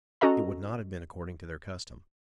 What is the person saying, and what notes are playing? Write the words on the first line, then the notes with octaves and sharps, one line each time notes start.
It would not have been according to their custom.
C#4 F#4 A4 D#5 A#5